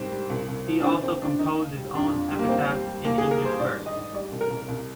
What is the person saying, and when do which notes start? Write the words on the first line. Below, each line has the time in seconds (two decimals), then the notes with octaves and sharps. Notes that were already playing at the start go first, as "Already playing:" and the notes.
He also composed his own epitaph in English verse.
Already playing: C2 G#2 G3 C4
0.11 G3
0.30 C2
0.48 C2
0.67 F3
0.80 D4
0.84 D#3 C4
1.03 D#2 C4
1.22 D#2 D4
1.39 D#2 D#4
1.58 D#2
1.76 G3
1.95 F2 D4
2.13 F2
2.31 G3
2.39 A#3
2.49 D#2 C4
2.68 G3
2.86 G3
3.04 D#2 A#3
3.18 G#4
3.22 D#2
3.31 A#4
3.41 G3 C5
3.59 G#2 D5
3.77 D#3
3.86 D#5
3.95 G#2
4.13 G3 D5
4.32 C2
4.41 A#4
4.50 C2
4.68 C2